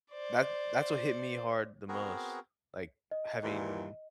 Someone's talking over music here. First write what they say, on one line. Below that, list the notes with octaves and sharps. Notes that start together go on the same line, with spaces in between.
That that's what hit me hard the most. Like, having
C5 D5
B3 C4 F#4 G#4 A#4
D#5
D#2 A#2 E3